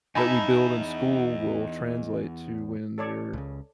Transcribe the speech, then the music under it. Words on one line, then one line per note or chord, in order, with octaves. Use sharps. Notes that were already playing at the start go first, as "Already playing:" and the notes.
that we build in school will translate to when we're
E2 D#4 D#5 E5 G#5 A5 B5
A4 C#5 D5
C#2 C#3